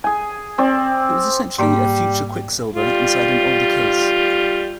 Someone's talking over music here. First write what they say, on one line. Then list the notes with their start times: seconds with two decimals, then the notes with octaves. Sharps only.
It was essentially a future Quicksilver inside an older case.
0.04 G#4 G#5
0.58 C4 D5
1.59 G#2 G3 A#3 D5
2.73 G3 F4